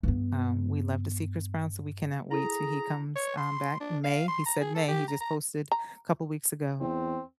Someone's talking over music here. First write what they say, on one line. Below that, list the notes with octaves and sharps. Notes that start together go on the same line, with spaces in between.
Um, we love to see Chris Brown, so we cannot wait till he comes, um, back. May, he said May. He just posted a couple weeks ago
G2 B3
E4 G#4 A4 A#5
C#5
C6
D4
F5
C6
A#5
G#4
A4
G4
A#5
A#5
A#5
E2 C4